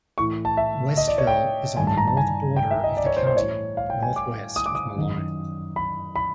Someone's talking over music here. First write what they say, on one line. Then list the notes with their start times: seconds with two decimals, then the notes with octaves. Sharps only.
Westville is on the north border of the county, northwest of Malone.
0.18 A2 E3 C#6
0.45 A5
0.57 E5
0.97 D#5
1.08 D5
1.18 C#5
1.27 G5
1.77 G2 D#3 G#5
1.87 A5
1.97 A#5
2.08 A5
2.17 G#5
2.56 G5
2.71 E5
2.84 D#5
2.97 D5
3.07 C#5
3.17 C5
3.27 C5
3.37 A2 E3 C#5
3.77 F5
3.90 G5
4.03 G#5
4.16 D6
4.56 D#6
4.66 D6
4.75 D#6
4.96 F#2 D#3
5.76 B5
6.16 B5